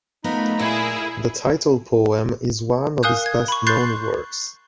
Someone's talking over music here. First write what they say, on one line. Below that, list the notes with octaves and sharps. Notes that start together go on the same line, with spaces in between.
The title poem is one of his best known works.
A3 B3 D#4 F4 A#4 A#5 B5
A#2 E4 G#4 A#4 B5 E6
A#4 F5 G#5 D#6 F#6 G6
G#6
B5 C#6
C6 C#6 F#6 G6 A6 C7